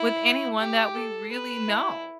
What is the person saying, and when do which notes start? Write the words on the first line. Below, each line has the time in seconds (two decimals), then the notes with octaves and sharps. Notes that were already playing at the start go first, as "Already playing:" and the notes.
with anyone that we really know.
Already playing: E4
0.59 G4
0.95 A4
1.32 B4
1.68 E4